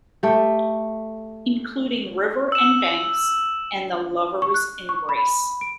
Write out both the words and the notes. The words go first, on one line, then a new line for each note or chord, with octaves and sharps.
Including River and Banks, and The Lovers Embrace.
A3 G4
E6 E7
C#6
F#6
C#6
B5
D7